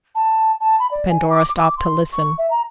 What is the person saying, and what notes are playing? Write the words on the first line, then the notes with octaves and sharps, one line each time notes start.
Pandora stopped to listen.
A5
A5
B5
D5
G#5
D6
D6
C6
C#6
E5
A#5